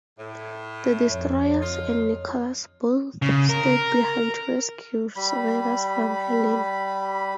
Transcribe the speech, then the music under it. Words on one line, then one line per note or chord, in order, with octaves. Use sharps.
The destroyers and "Nicholas" both stayed behind to rescue survivors from "Helena".
A2
F2 C#5
D3 D#4 F4
C#3
A#4
G3 B5